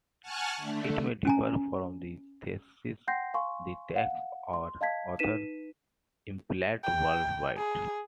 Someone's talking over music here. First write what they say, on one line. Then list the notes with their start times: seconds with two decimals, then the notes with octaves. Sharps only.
It may differ from the thesis-the text's or author's implied worldview.
0.22 F#5 G#5 A5 C#6 F6 F#6
0.57 D3 A3
1.25 C#4 G#5 A#5
3.08 F#5 G5 C6 G6 A#6 C7
3.34 F5 G#5 C6 C#6
3.96 F5 F#5
4.53 C6
4.81 D#5 F5 A5 G#6 B6
5.19 D#4 B4 B6 D#7 E7
6.84 G5
7.57 G#4